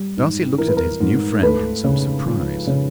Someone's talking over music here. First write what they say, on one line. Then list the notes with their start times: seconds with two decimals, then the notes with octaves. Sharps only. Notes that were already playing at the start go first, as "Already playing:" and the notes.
Darcy looked at his new friend in some surprise.
Already playing: G3
0.17 G#2
0.58 E3 A#4
0.68 B4
0.77 A#4
1.00 G#2
1.42 A3 B4
1.84 C#3
2.25 F3
2.67 C#3